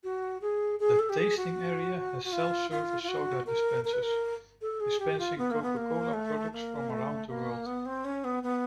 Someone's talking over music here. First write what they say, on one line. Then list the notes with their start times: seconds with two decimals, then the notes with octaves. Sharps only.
The tasting area has self-serve soda dispensers, dispensing Coca-Cola products from around the world.
0.04 F#4
0.42 G#4
0.80 G#4
0.99 A4
1.10 G4
1.18 G#4
1.37 F#4
2.25 F#4
2.33 F4
2.71 F4
3.03 F4
3.08 F#4
3.47 A#4
3.85 A#4
3.93 B4
4.02 A#4
4.61 A4
4.80 G#4
4.99 G4
5.19 F4
5.38 B3
5.51 A#3
5.63 B3
5.76 A#3
6.13 A3
6.53 A#3
6.90 A3
7.29 A#3
7.66 B3
7.86 C4
8.05 C#4
8.24 B3
8.43 B3